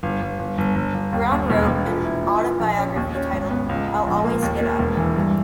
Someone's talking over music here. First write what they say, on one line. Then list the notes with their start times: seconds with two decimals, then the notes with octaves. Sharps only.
Brown wrote an autobiography entitled "I'll Always Get Up".
0.03 G1
0.22 G1
0.39 G1
0.58 G1
0.76 G1
0.94 G1
1.12 D#2
1.31 D#2
1.50 E1
1.67 E1
1.86 A#2
2.04 E4
2.23 A#2
2.41 A#2
2.59 A#1
2.78 C#4
2.96 D#2
3.15 C#4
3.33 G#1
3.51 B3
3.69 C#2
3.88 C#2
4.06 A#1
4.24 A#3
4.42 D#2
4.61 A#3
4.79 E1
4.97 E3
5.16 G2